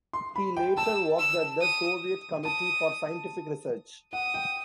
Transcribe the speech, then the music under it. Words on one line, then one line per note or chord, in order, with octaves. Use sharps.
He later worked at the Soviet Committee for Scientific Research.
C6
B5
G5
A5 E6
E6
D#6
A5 D#6
F#5 D#6
G5